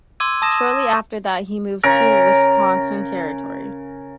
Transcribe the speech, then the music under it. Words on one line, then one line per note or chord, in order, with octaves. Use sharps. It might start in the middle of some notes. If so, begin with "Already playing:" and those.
Shortly after that, he moved to Wisconsin Territory.
C6 D6 E6 G#6 D#7
A5 D#6 A#6 E7
C#3 A#4